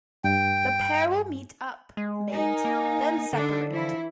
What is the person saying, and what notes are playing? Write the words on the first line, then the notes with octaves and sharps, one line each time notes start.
The pair will meet up, mate, then separate.
G2 G5
G#3
D#4 A#4 G#5
A#3
D3 D4 D#4 A4
E3 F3 E4